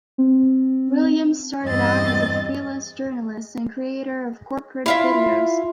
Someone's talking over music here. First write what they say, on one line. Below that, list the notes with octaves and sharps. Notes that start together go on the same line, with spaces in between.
Williams started out as a freelance journalist and creator of corporate videos.
C4
E2 G2 C4 D#5 A6
E4 F4 E5